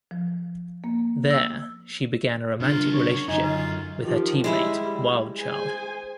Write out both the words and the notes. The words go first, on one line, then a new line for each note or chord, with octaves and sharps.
There, she began a romantic relationship with her teammate Wildchild.
F3
A#3
E6
C#3 D4 F4 A#4
C#5
F#2 D3 D#4 G#5
F4
D#3 F3 G4
G3 G#3 E4 E5
G#4 C5 G#5